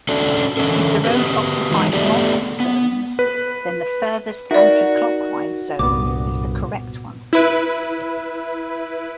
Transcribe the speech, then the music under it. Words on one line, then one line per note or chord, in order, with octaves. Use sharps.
If the road occupies multiple zones, then the furthest-anticlockwise zone is the correct one.
C#4 D4 F#4 A4
D3 E3 F3 C#4 A4 A#4
B3 F#4 G4 B4
E3 G#3 D#4
A3 B3 G4 D5
B3
B4
D#4 F#4 A#4 D5 E5
C2 G2 A#2 B3 D6
E4 B4